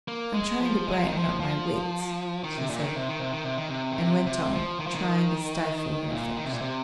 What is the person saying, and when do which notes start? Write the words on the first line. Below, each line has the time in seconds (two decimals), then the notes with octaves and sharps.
"I'm trying to brighten up my wits," she said, and went on trying to stifle her affections.
0.08 A#3
0.34 G#3
0.61 F3
0.87 G#3
0.97 F3
1.08 D#3
1.18 F3
1.40 F3
2.44 D#3
2.57 C3
2.70 A#2
2.83 D#3
2.96 C3
3.09 D#3
3.20 C3
3.32 D#3
3.44 C3
3.57 D#3
3.69 C3
3.91 D#3
4.01 C3
4.27 C3
4.53 F3
4.80 D#3
4.87 F3
4.95 D#3
6.10 A#2
6.37 D#3
6.45 C3
6.53 A#2
6.62 C3